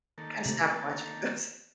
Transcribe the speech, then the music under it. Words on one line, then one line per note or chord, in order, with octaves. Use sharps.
Gotta stop watching those.
D#3 A#3 A4
C3 A3